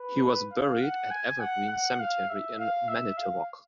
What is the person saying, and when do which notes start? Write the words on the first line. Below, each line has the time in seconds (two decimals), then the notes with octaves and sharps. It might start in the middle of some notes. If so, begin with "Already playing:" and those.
He was buried at Evergreen Cemetery in Manitowoc.
Already playing: B4
0.52 F5
0.81 F#5
1.10 G#5
1.40 F#5
1.70 F#5
1.99 F5
2.29 E5
2.59 F5
2.88 E5
3.18 F5